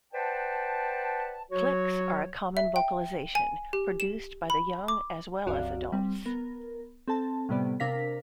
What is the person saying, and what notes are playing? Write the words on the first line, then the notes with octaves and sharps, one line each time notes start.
'Click's are a common vocalization, produced by the young as well as adults.
B4 C5 D5 F#5 G5 A5
F#3 F#4 C#5
E5
G5
G#5
G4
E7
B5
D6
C2 F#2 F#4 D5 F5
G3 C4
B3 A#4
C4 A4 A5
A2 C3 G3 B3 D5
C3 D4 A#4 F5 A#6 B6